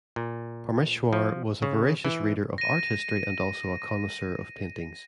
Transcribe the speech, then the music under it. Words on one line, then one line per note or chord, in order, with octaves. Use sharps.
Parmeshwar was a voracious reader of art history and also a connoisseur of paintings.
A#2
F3
C#3
E3
A#6 D#7